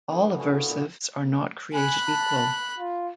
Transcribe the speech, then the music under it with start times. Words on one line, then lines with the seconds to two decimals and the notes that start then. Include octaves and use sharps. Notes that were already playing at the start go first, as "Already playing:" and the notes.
All aversives are not created equal.
0.11 D3 E3 B3
0.23 A2
0.39 F#4 G#4 C#5 F5
0.53 D3 E4 D5 B5
0.69 A#2 D6
1.73 G#5 B5 F#6
2.07 A5
2.79 F4